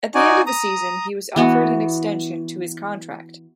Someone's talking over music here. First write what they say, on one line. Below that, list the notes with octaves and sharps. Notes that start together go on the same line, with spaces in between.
At the end of the season he was offered an extension to his contract.
D#4 F#4 D5 G#5
A#5 D#6
E3 B3 F#4